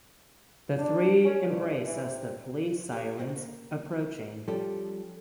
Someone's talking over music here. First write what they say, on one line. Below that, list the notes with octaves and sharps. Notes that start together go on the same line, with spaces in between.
The three embrace as the police sirens approaching.
D4
C#4
G2
E3
C3
G4 C#5
G#2 C4
A#3
F3 G3 C#4 G4 A4